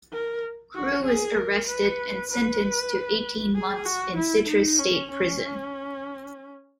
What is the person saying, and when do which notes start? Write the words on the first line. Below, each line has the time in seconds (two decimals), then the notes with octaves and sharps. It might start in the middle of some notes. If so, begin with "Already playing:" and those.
Crewe is arrested and sentenced to eighteen months in Citrus State Prison.
0.13 A#4
0.75 F#4
1.06 G#4
1.37 A#4
1.69 B4
2.31 B4
3.56 G#4
3.86 F#4
4.17 E4
4.49 D#4
4.79 C#4
5.11 C#4